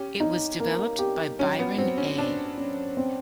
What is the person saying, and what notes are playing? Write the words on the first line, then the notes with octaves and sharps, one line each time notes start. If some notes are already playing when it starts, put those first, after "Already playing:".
It was developed by Byron A.
Already playing: C#4 G4
D#4
A#3
G4
F#3 C#4
B3
F#3 C4
C#4
C#4 D4
C#4
C4